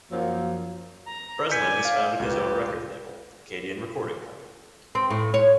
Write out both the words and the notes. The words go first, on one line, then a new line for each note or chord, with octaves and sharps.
Breslin has founded his own record label, Acadian Recording Company.
F#2 F3 F#3 A#3
A#5
D5 G#5 G6 B6 C#7
F5
C#2 G4 B4
C4
A2
C#5